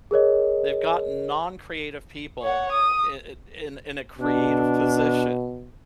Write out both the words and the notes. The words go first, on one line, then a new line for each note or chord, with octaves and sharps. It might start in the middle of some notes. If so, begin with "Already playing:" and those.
They've got non-creative people i i in in a creative position.
G#4 A#4 C#5 D#5
C#5 F#5
D#6
B2 D4